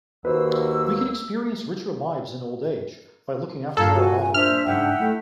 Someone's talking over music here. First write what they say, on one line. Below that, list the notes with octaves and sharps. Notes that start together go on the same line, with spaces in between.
We can experience richer lives in old age by looking after our body.
D#2 A#3 F#4 B4 C5 E6
G2 A#2 A4 F5 A#5 G#6
F#4 G#5
G#5
D4 C5 E5 F6
G#2 C#3 E5 F#5 G5
A3 E4